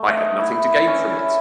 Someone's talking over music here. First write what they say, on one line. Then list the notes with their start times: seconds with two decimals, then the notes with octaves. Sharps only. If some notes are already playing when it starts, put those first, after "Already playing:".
I had nothing to gain from it.
Already playing: A3
0.17 D#4
0.41 E4
0.87 C#4
1.10 E4